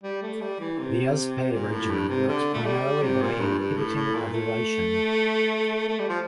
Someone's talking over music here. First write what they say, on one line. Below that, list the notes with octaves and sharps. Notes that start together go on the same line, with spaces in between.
The Yuzpe regimen works primarily by inhibiting ovulation.
G3
A3
G3
E3
C3
A#2
A2
G2
C3
D3
A3
G3
C3
A#2
G2
G2
A2
A2
A#2
A3
A3
G3
F3